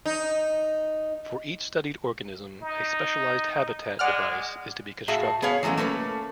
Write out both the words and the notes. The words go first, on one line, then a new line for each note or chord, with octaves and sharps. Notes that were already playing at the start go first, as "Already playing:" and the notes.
For each studied organism, a specialized habitat device is to be constructed.
D#4
D#4
G#3 D5 F#5 F6
A2 F#4 G#4 E5 F5 A5
B3 G#4 B4 C#5 F5
E3 F#3 G#3 A3 C#4
A3 A#3 C#4 B4